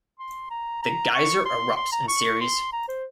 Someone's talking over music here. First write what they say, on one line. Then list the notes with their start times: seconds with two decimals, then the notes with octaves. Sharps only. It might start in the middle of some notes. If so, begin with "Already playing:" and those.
The geyser erupts in series.
0.19 C6
0.50 A#5
0.83 A#5
1.14 C#6
1.45 C6
1.77 C6
1.92 A#5
2.08 C#6
2.41 C6
2.72 A#5
2.88 C5